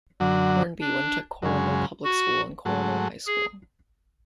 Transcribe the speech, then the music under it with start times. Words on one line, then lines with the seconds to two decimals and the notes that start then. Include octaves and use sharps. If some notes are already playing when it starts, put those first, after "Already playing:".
Hornby went to Corrimal Public School and Corrimal High School.
0.20 F#2 D3 F#3
0.81 D4
1.42 F#2 C#3 G#3
2.04 F#4
2.65 G#2 F#3 A3
3.27 G#4